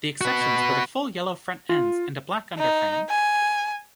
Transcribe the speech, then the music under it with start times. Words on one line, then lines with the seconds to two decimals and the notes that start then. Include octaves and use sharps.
The exceptions were the full yellow front ends and a black underframe.
0.21 F#4 B4
1.69 F4
2.58 D#4
3.09 G#5